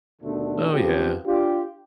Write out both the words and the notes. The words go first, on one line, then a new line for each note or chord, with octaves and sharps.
Oh, yeah.
D#2 B2 D3 A3 D4
G#1 C#3 F3 B3 C4 G4
D4 F4 G4